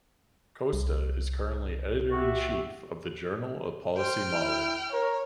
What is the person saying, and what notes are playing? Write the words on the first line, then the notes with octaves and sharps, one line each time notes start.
Costa is currently Editor-in-Chief of the Journal of Policy Modelling.
C2
F#4 G4 E5
C5 G5 F6
E4
A#4 C#5